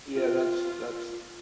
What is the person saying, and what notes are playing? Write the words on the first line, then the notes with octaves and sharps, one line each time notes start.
Yeah, that's that's
F4